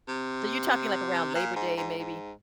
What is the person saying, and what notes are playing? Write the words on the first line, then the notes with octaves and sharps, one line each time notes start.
So you're talking. like, around Labor Day maybe?
C3
A#2
G#2
G#2
G#2